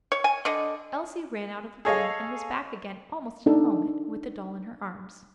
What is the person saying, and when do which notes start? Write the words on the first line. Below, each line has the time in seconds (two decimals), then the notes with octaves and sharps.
Elsie ran out of the room and was back again almost in a moment, with the doll in her arms.
0.12 C#5
0.24 G#5
0.45 D3 D#5
1.85 G#4 A4 C#5 D#5 F5
3.46 D4 D#4 A4